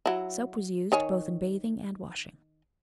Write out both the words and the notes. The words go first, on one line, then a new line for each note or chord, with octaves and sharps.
Soap was used both in bathing and washing.
F#3 E4
D#3 C#5 G#5